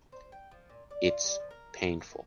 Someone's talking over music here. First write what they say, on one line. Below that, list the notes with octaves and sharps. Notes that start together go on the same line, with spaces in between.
It’s painful.
C5
G5
F3
A#2
D5
F4
G3
F3
A#4
A#3